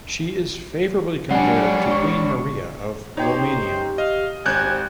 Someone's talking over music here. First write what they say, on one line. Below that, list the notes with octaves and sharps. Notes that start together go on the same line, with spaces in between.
She is favourably compared to Queen Maria of Romania.
F#3 G#3 D4 G4 C#5 D5 F#5 G#5
D#1 C#6
D#4 G4 C5 C#5 G5
D#5 F5
G#1 C4 G4 G#5 F#6 G6